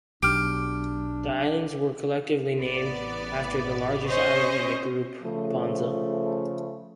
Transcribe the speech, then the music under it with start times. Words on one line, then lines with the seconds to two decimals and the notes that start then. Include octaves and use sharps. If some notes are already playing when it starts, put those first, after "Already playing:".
The islands were collectively named after the largest island in the group, Ponza.
0.23 B1 D4 G4 F6 D7
2.59 A1 B3 D5
4.06 C#4 C5 D#5 C#6
5.23 C#3 F3 A3